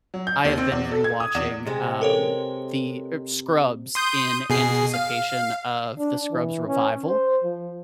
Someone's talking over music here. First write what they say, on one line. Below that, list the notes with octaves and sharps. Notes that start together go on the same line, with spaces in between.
I have been rewatching, um, the er Scrubs in anticipation of the Scrubs revival.
F#3
G6
D#2
C4
E2
A4
G#6
D#6
E2
C3 G#3
A4 A#4 C#5
C6 D#6 G6
B2 G#4 C7
F5
D4
E3
C#4
C5
F3